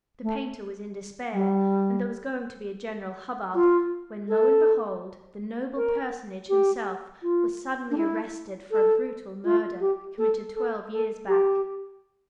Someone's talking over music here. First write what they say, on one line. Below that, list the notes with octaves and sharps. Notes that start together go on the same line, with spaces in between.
The painter was in despair, and there was going to be a general hubbub, when, lo and behold the 'noble' personage himself was suddenly arrested for a brutal murder committed twelve years back.
A3
G3
F4
A4
A#4
G4
F4
D4
E4
A4
F4
G4
A4
A4
A4
G4